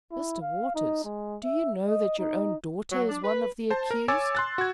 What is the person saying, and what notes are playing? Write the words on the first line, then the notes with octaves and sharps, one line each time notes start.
"Mr. Waters, do you know that your own daughter is one of the accused?"
E4
F5
D#4
G#3
E5
D#5
D#4
F#3
D4
B4
C5 A5
A#4
C#5 G#5 D6 E6 A6
C6 F#6 A6
F#4 G#6